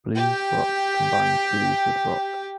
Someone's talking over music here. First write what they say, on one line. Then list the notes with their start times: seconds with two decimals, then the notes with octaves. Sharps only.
Blues rock combines blues with rock.
0.15 G4 G5